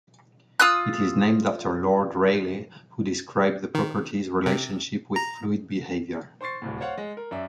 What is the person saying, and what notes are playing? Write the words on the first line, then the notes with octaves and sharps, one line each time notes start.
It is named after Lord Rayleigh, who described the property's relationship with fluid behaviour.
F4 D#6 E6 F#6
D#3
C3
A#5
C5 C6 C#6 A6 C7
D1 C2 A2
C5 C#5 F5 F#5
G#3
A#4
F#2 D5 E5